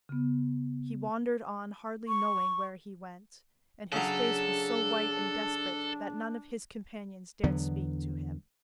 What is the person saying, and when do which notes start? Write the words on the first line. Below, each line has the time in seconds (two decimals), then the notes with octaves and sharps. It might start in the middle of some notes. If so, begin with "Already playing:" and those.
He wandered on hardly knowing where he went, and his face was so white and desperate that none of his companions dared speak to him.
0.09 C#3 B3
2.08 C#6
3.92 C#3 F#3 D4 A4
7.44 E2 D3 F#3 B3